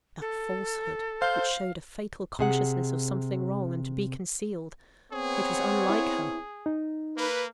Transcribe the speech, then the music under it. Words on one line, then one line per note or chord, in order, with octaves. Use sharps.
But that falsehood! which showed a fatal consciousness of something wrong, and to be concealed, which was unlike her.
A4
C5 F5
C3 G#4 F#5
B3 C4 G#4 C#5
E4
D#4
A#3 B4